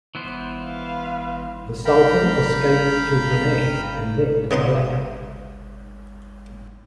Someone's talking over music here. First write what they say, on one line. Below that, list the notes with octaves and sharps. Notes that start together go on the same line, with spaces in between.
The Sultan escaped to Penang and then Malacca.
E3 B3 C5
B4 F5
F5 G5 A#5 B5
C#3 B3 D#4 C6